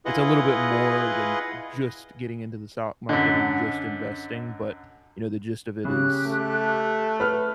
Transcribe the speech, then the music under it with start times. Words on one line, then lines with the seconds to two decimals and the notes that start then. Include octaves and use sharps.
It's a little bit more than just getting into the stock market and just investing, but, you know, the gist of it is
0.05 E4 F4 G#4 B4 D#5 F#5
3.09 F#2 D3 D#5 B6
5.85 C#3 G4 F#6
6.27 A3
7.20 B4 F6